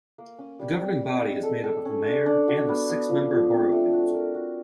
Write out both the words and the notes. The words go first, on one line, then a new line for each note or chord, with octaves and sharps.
The governing body is made up of the mayor and the six-member Borough Council.
A#3
C#4
G3
C4
C4
G#3
A4
A4
C#4
D4
D4
F#4
B3
B3
F3
F3
C4
A3
F#4
A#4
F#4